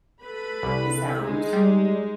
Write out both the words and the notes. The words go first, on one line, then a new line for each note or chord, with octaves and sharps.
it sounds
A4 B4 B5
C2
G#3 D#4
G3